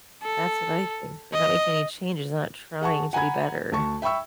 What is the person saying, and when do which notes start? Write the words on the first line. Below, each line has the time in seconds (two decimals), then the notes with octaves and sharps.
That's what I think. They're not making any changes, they're not trying to be better.
0.22 A4
1.33 D#5
2.81 G#4 F#5 A5 C#6
3.13 F#5 G#5 A#5 B5 G#6
3.72 D2 A5 C#6
4.02 E5 G5 B5 C#6 E6